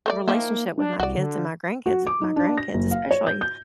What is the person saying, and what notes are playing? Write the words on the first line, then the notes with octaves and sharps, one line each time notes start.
relationship with my kids and my grandkids my grandkids especially,
A3 C5 D5
D#3 F3 A#3 E4
D4
C2 F#4 D5
D3
F#4
D6
D#4
D4
A#6
F#1
F5
C#5
G6
G6